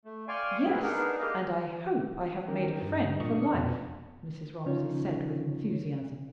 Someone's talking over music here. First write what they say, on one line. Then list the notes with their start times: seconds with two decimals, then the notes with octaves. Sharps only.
"Yes--and I hope I have made a friend for life," Mrs. Romsey said with enthusiasm.
0.05 A3
0.28 D5 F5 G5 G#5 C6 C#6
0.65 G#2 B2 B3 C4 E4 G#4
0.82 B3 D4 D#4 G#4 A#4
1.20 G#3 A#3 G4 D#5 F5
2.48 D#3 C#4 G4 A#4
2.82 G2
3.20 A#2 F3 D4 D#5 C#6
3.53 F2 B2
4.66 C#3 F3 C#4 D#4 F4 C#5